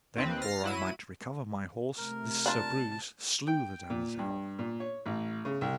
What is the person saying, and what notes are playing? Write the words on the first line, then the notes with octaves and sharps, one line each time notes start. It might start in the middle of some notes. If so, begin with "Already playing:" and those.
And then or I might recover my horse this Sir Breuse slew the damosel.
D#2 C4 B4
F6 A6 A#6 C7
F#3 E4 D#7
C3 A3 A#4
D4 F4 A5
G5
A#2
G2
A#2
C#5
A1
C#3
C2